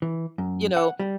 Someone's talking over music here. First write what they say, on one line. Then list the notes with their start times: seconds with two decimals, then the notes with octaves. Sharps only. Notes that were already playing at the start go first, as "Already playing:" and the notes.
you know
0.02 E3
0.38 F#2
0.77 F#5
1.00 G3